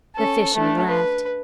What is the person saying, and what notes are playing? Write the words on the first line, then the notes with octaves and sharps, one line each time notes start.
The fisherman laughed.
C#4 A4
A3 D4
B4